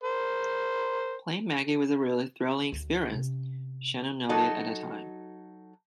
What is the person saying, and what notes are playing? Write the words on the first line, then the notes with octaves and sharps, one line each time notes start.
"Playing Maggie was a really thrilling experience," Shannon noted at the time.
A#4 C5
D2
C3 C#4
F#3 D#4 F#4 A4